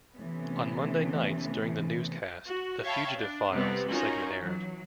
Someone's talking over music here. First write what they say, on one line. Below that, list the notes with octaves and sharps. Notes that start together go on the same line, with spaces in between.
On Monday nights during the newscast, the "Fugitive Files" segment aired.
C3 E3 A3 B3 C#4
F#4
C#5 E5 F5 G5 A5 B5
D4
C3 G3 B3 C4
C#4 D#4 F4 F#4 A#4
E3 F#3